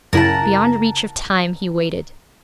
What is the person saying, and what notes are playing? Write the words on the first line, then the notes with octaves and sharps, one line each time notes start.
Beyond reach of time he waited.
F#2 C#3 E4 A#4 F#5 A5